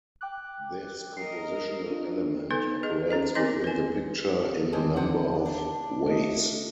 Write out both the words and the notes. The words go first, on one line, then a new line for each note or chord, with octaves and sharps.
This compositional element operates within the picture in a number of ways.
G5 D6 F#6
A#4 D#5 C7
D4 F4
B3 D#4 A4 B4
G#4 D#5
C#4 G#4 D#5
E3 B3 C4 A#4 D#5 C6
B4 G#5
D3 G#3 C4
D3 C4 F#5
D4
A3 F4 D#5